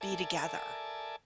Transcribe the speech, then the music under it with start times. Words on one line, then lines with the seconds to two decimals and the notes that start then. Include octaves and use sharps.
be together,
0.01 A4 A#4 D5 E5 G#5 A5